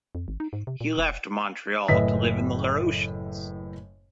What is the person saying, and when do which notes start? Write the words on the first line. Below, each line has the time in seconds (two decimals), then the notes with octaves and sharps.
He left Montreal to live in the Laurentians.
0.15 F2
0.28 G#1
0.40 D#4
0.53 G#2
0.67 C3
0.81 A#2
0.97 E1
1.88 F#1 A2 B4 D#5 E5 B6